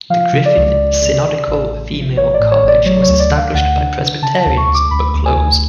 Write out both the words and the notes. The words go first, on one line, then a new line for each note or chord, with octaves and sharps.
The Griffin Synodical Female College was established by Presbyterians but closed.
F3 F5
C#3
D5
C#2
C#3
C#3
C#3
A1
A1
F3
A1 C#5
D5
A2
C#5
A1 D5
F#3 C#5
C#5
D2
D5
D3
F5
D2 F#5
D3
D3
C#3 A5
A5
D2
C#6
D2
D6
D2 B5
D2
G#5
D2